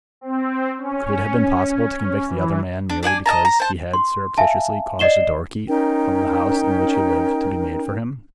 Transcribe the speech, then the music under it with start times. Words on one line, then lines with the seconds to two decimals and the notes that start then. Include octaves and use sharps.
Could it have been possible to convict the other man, merely because he had surreptitiously caused a door-key of the house in which he lived to be made for him?
0.21 C4
0.78 C#4
2.27 E3
2.90 D4
3.03 D4 D5 F#5 G#5
3.26 D#5 F5 A5 A#5
3.45 A#5
3.60 C5 A5
3.94 C6
4.38 E5 F5 G#5 A5
4.99 D5 D#5 C7 E7 G7
5.67 C#4 D#4 A#4 G5